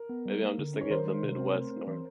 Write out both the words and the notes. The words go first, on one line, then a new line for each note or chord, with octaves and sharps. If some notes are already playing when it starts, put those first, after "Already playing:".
maybe I'm just thinking of the Midwest North,
Already playing: A#4
B3
G3
A#3
D3
C#4
C#5
D#3 A#4 C5
G#3
C3
C4
A3
C4
E3